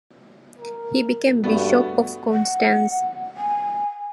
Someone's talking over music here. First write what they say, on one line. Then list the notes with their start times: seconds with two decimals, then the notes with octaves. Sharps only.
He became Bishop of Konstanz.
0.59 A#4
1.44 G2 A3 B3 F#4
2.31 F#5
3.37 G#5